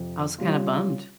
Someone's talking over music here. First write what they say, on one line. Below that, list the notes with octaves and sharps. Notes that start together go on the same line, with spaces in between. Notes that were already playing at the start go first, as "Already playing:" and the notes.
I was kinda bummed.
Already playing: F2 C3 F3
C3 G3 C#4 F4